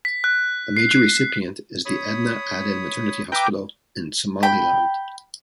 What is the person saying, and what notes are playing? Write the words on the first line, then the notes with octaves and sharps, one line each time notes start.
A major recipient is the Edna Adan Maternity Hospital in Somaliland.
B6
F#6
C7
F#6
C#5 B5 D#6
B4 E5 G5 A#5 D6
G5 B5